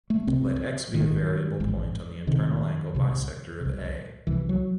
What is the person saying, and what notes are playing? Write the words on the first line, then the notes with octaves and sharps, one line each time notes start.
Let "X" be a variable point on the internal angle bisector of "A".
A3
C2 C3 C4
A1 G#2 D#3
A1 G#2
C2 C3 D#3
C2 C3
C2 C3
C2 C3 E3
F#3